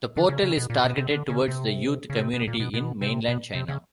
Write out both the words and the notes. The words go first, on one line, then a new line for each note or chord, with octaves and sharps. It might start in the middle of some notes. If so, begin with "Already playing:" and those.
The portal is targeted towards the youth community in Mainland China.
D3
C#3
C#3
B2
A#2
B2
C3
D3
C#3
C3
C#3
C3
B2
A#2
B2
B2
C3
B2
C3
C#3